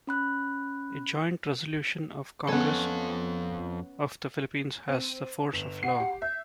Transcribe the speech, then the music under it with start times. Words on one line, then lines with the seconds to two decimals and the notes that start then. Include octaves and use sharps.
A joint resolution of the Congress of the Philippines has the force of law.
0.07 C#4 B5 F#6
2.48 F2 B3 C#4 A4
4.89 C4 D#7
5.53 G1 E7 F7
5.83 F#5 C7
6.00 G4
6.22 E5 G6